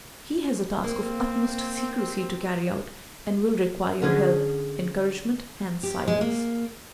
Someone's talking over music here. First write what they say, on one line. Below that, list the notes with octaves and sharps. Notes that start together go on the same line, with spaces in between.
"He has a task of utmost secrecy to carry out and will require your help, encouragement, and silence."
A#3 C4
D3 C#4 D4 G#4
G4
G#3
A#3